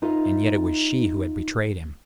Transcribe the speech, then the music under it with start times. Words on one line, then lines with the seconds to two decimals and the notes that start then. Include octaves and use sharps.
And yet it was she who had betrayed him.
0.02 D#4 F4 B4 D#5 E5